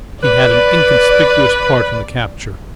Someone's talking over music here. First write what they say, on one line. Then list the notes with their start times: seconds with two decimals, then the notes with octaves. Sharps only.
He had an inconspicuous part in the capture.
0.23 B4 D5